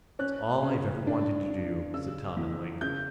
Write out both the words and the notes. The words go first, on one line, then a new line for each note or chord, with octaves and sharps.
"It's all I've ever wanted to do," said Tom at length.
C#4 F#6
C#3
D4
D4
C#3 E6
E2
C#3 G6